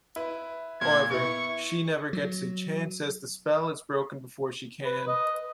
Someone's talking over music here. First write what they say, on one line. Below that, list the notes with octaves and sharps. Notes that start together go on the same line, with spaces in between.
However, she never gets a chance as the spell is broken before she can.
E4 B4
A#2 G#6
B3 E4 C#6
F#3
B4
D#5